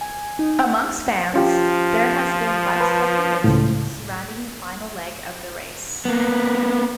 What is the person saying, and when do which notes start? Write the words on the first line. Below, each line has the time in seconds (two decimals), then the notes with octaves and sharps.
Amongst fans, there has been much speculation surrounding the final leg of the race.
0.01 G#5
0.39 D#4
0.64 F#5
1.34 F3 C#4 F4 G4
2.81 B4 A5
3.44 C#2 A2
6.05 A#3 B3